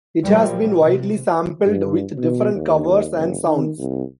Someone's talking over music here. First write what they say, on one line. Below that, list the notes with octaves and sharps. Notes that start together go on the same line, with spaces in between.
It has been widely sampled, with different covers and sounds.
A#2 F3 G3 A#3
C3
G2
B2
D#2
F#1
D#3
C2